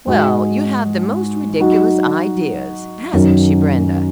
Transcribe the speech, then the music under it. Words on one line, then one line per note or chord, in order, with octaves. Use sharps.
"Well, you have the most ridiculous ideas, hasn't she, Brenda?"
G#2 G#3 F#4
F#3 D#4 F#4
F#2 D#3 F#3 C#4